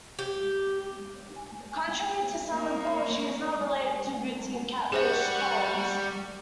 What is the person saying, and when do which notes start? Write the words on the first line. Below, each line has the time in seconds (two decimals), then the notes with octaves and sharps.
Contrary to some reports, she is not related to Bootsy and Catfish Collins.
0.19 G4
2.48 A#3 C#4
4.92 G3 G#4 C5 E5 F#5 C#6